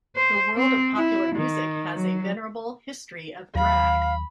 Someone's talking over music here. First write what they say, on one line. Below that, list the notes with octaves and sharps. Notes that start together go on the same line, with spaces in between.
The world of popular music has a venerable history of drag.
C5
C4
E4
D#3
F#3
D#2 F#3 F5 B5